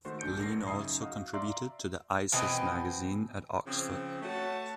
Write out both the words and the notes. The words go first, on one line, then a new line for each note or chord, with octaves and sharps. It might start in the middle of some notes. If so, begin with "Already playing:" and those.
Lean also contributed to the "Isis" magazine at Oxford.
D#3 A3 F#4 A4 C5 C6
A#1 D4 G6 C#7 D7
A1 A3 A#4 A#6 C7
F#2 C#3 D#4 E5 D#6 C7
F#4 D#5 F5
D5 E5 F5 A#5 C6
B2 E3 C4 D#5
C#3 F3 C4
A3 F#4 C#5 A5